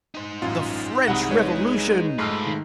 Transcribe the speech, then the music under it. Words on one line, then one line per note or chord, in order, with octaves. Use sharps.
"The French Revolution!"
D#4 C5
A1 F#2 F4
C2 G#3 D#5 F#5 B5 D#6
B4 C#5
G#2 G#3 A3 F4 B4 E6 F6 C7
D#3